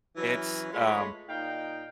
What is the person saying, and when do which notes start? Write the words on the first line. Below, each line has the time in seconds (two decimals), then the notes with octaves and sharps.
it's, um
0.17 E3 F#3 C#4
0.71 G#3 A3 F4 B4 C#5 B5
1.29 A#2 D#4 F5 G5